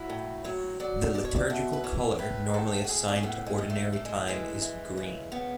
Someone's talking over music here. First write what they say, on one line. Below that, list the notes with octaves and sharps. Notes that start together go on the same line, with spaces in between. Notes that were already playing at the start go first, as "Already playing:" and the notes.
The liturgical color normally assigned to Ordinary Time is green.
Already playing: F#3 E4
A2
F#3 C#5
F#3 D5
B2 D5
C#5
D5
B2 E5
B4
E3 C#5
A2 B4
A2 A4
F#4
A2 G#4
D4
C#4
A2 B3
G#3
A2
A3
A2 A3
G#3
E3 G#3
E3
C#3
C#3 B3